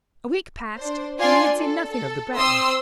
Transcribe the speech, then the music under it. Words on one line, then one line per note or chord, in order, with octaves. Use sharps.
A week passed, and we had seen nothing of the Breton.
D4 C5
D4 F4 D5 G#5 C6
A4
A4
C4 C6 D#6 E6